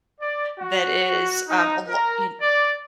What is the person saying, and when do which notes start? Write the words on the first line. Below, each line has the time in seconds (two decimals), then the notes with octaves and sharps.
that is, um, a lo y kn
0.21 D5
0.58 F#4
1.48 D#4
1.88 A#4
2.41 D5